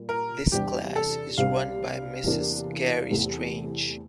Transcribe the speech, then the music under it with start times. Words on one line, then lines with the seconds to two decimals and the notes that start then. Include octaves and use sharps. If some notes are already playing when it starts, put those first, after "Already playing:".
This class is run by Mrs. Cari Strange.
Already playing: A#2 G3
0.09 A#4
0.52 E2 C3 G3 D4 G4
0.96 A4
1.38 C2 C3 G3 D4 G4 F5
2.24 E2 C3 E3 A#3 D4
3.10 E2 C3 E3 A3